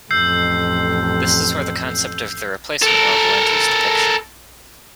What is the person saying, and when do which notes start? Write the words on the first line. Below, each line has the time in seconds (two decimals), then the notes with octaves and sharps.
This is where the concept of the replacement level enters the picture.
0.11 A1 F2 E6 G6 C7
2.82 A4 A#4